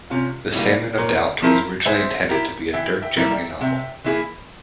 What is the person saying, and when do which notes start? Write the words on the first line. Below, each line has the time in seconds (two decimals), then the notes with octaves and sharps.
"The Salmon of Doubt" was originally intended to be a Dirk Gently novel.
0.10 C3 C#4 F4
0.54 G3 A#3 E4 G4
0.98 A#2 A#4 C#5
1.42 F3 C4 E4 A#4
1.85 G#3 C5 E5
2.29 E4 G4 A#4
2.73 E3 E5 G5
3.02 E5 G5
3.17 G3 A#3 E4 A#4
3.32 E5 G5
3.61 C3 E5 G5
4.04 E3 A#3 E4 G#4